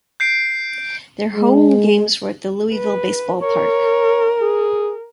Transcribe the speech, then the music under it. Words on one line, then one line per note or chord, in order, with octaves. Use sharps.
Their home games were at the Louisville Baseball Park.
G6 C7 D7
G#3
B4
A#4 C#5
G#4